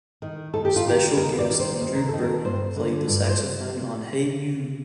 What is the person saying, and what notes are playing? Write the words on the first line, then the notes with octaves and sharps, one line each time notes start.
Special guest Andrew Brennan played the saxophone on Hey You!!!
D#3
D#2 A4
G4
F4
D#3 G4
D#2 A#4
D5
D#3
C5
D#2 C5
A#4
D#3 A4
A#4
G2 C5
D3
G2 D5
D5
C5